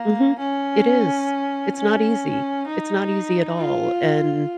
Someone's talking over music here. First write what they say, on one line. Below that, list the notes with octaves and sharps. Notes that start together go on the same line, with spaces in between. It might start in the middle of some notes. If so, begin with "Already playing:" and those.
Mhm, it is, it's not easy, it's not easy at all, and,
Already playing: A#3
C#4
C#4
D#4
F4